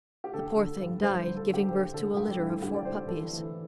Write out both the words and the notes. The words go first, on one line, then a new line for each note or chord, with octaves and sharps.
The poor thing died giving birth to a litter of four puppies.
G4
D3 A4
D3
G2
G2 C5
D3
A4
D3
G4
D3 C5
D3 A4
G2 G4
G2 E4
D3 G4
D5
D3 C5
E3 A4
E3